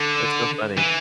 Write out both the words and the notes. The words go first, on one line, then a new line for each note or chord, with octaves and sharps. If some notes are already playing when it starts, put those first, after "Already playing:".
That's so funny.
Already playing: D3
E3